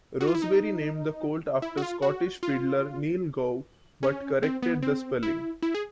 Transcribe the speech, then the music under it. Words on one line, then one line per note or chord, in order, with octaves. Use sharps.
Rosebery named the colt after the Scottish fiddler Niel Gow but "corrected" the spelling.
F#4
F4
E4
D#4
E4
F#4
F4
F#4
F4
C#4
C4
B3
C4
E4
E4
G#4